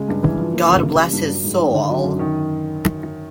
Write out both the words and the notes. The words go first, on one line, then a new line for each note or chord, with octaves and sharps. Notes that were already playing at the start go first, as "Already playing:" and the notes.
God bless his soul.
Already playing: C#3 G#3
G2
E3
F3
A#3
C#3
E3
G3
G2
F#3
G#2
D#3
D3
F#3
F#2
D#3